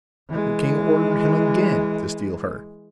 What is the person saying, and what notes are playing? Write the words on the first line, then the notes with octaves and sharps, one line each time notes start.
The king ordered him again to steal her.
E3 G#3